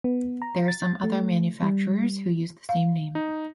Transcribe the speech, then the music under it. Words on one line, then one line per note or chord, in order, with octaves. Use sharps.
There are some other manufacturers who uses the same name.
B3
A#5
A6
A3
G3
F5
D#4